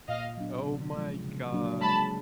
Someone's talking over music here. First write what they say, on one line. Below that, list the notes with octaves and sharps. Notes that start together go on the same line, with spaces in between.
Oh my gosh.
A#2 D#5 F5
F#3 B3 D4
C3
F3 G#3
C#3
F#3 A#3 D4
G#3 A5 B5